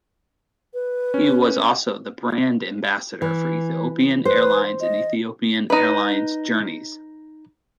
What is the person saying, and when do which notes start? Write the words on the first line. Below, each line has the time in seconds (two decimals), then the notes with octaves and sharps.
He was also the "Brand Ambassador" for Ethiopian Airlines and Ethiopian Airlines Journeys.
0.74 B4
1.14 C#4
3.22 E3
4.25 B4 C5
4.81 D#5
5.70 D#4 B4